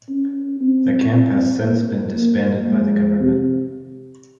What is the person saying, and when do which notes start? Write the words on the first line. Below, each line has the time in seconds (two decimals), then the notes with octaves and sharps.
The camp has since been disbanded by the government.
0.09 C#4
0.61 C4
1.13 C4
1.64 A#3
2.16 A#3
2.68 G#3
3.20 C3